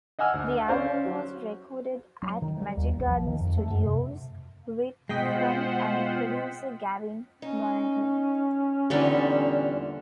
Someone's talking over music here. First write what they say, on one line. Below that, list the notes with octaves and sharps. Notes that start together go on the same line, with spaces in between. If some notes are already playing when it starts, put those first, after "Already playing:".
The album was recorded at Magic Garden Studios with friend and producer Gavin Monaghan.
D#5 F#5 G#5 E6 F6
D2
C#4 C5 D5 F5
F#3
F#3
D#3
G3
D#2
A#1
F3
D#3
F2
A3
F#2
C3
B2 G#3 F4 C5 D#5 F#5 G5 B6
C#4 D#4
E2 A#2 D3 G3 D#4